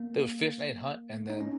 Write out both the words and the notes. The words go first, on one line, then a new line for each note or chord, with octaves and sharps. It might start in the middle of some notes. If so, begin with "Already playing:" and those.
they would fish and hunt and then
Already playing: A#3
D#4
C#4